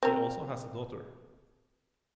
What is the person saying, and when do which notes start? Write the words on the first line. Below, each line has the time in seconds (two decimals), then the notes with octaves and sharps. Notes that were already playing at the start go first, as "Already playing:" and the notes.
He also has a daughter.
0.03 C4 A#4